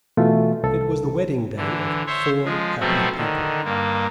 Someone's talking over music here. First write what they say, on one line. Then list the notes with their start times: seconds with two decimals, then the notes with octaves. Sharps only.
It was the wedding-day of four happy people.
0.17 B2 E3 A3 F4
0.63 C2 A4
1.57 D3 E3
2.07 C5 C#5 E5
2.44 F3 G#3
2.80 B2 F3 F#3 A3 C4 F#4
3.17 D3 D#3
3.65 G2 A#3